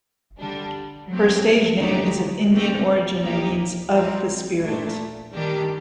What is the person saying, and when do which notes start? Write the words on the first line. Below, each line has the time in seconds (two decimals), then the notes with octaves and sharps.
Her stage name is of Indian origin and means "of the spirit".
0.39 D3 G3 D4
1.09 F#3 A3 C4 G4
1.80 D3 F#3 A3 D#4 G4
2.50 D3 A3 C4 G4
3.22 G3 A#3 D#4 G4
3.92 G3 C4 D#4
4.63 A#2 A3 D4
5.33 D#3 G3 D4 G4